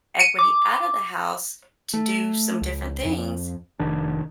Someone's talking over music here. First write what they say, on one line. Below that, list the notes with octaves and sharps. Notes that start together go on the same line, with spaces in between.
equity out of the house to do some different things,
C#7 D#7
D6
A3
C#2
F2
F1 D#3 D4